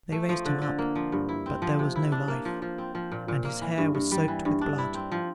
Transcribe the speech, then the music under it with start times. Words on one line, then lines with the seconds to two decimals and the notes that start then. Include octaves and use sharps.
They raised him up, but there was no life, and his hair was soaked with blood.
0.12 A3
0.29 F3
0.45 D3
0.62 D3
0.79 A#3
0.95 F3
1.12 G2
1.29 E4
1.46 C4
1.62 F3
1.79 C3
1.96 E4
2.12 D4
2.28 A#3
2.45 F3
2.62 F3
2.78 C4
2.95 F3
3.12 A#2
3.28 A#2
3.45 A#3
3.61 E3
3.78 G2
3.95 G2
4.12 G3
4.28 E3
4.45 G2
4.61 D4
4.78 E4
4.94 C4
5.12 F3